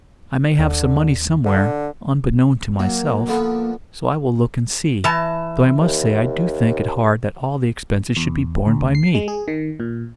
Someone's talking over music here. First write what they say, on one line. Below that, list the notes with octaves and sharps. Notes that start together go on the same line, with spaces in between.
I may have some money somewhere, unbeknown to myself, so I will look and see; though I must say I do think it hard that all the expenses should be borne by me!'
D#2 D3
D3
F#3 A#3
D3 F3 B3
E3 A5
D#2
E2
D2
C7
G#3
G#4
D#3
A#2